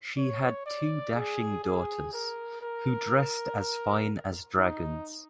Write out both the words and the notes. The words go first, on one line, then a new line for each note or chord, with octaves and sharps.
She had two dashing daughters, who dressed as fine as dragons.
C#5
D5
G#4
G#4
A#4
A#4
A#4
D#4